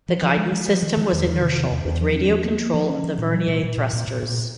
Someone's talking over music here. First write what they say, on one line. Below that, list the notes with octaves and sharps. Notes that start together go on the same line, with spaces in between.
The guidance system was inertial with radio control of the vernier thrusters.
F3
F3
G#3
F3
F3
D#3
D#3
E2
D#3
C3
E2
E2
E2
F3
C#4
F3
A#3
A#3
F3
C#4
F3
A#2
F#3
A#2
A#2
A#2
A#2
A#2
A#2